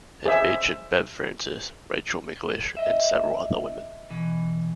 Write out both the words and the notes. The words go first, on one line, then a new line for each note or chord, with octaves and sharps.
It featured Bev Francis, Rachel McLish, and several other women.
G#4 C5 E5
D#5 E5
B2 E3